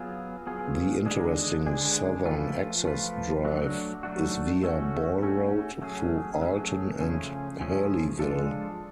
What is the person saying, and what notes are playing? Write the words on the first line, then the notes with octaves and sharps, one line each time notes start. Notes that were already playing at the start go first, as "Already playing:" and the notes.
The interesting southern access drive is via Ball Road through Alton and Hurleyville.
Already playing: F#3 B3 F4 G#4
F#3 B3 F4 G#4
D3 G#3 D4 G#4
D3 G#3 D4 G#4
F3 A3 F4 B4
F3 A3 F4 B4
F#3 A3 D4 F#4
F#3 A3 D4 F#4
A3 C#4 F#4
A3 C#4 F#4
F#3 A3 C#4 G#4
F#3 A3 C#4 G#4
C#3 F3 A3 C#4 G#4
C#3 F3 A3 C#4 G#4
F3 G#3 D4 F4 A4